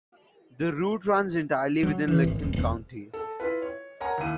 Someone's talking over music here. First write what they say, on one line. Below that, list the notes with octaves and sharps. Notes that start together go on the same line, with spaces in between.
The route runs entirely within Lincoln County.
F#3
E3
G#1
D#1
E1
A4
E4 F4 B4
C#5
A#4 C#5 F#5 G#5 A#5
D#2 E4 D#7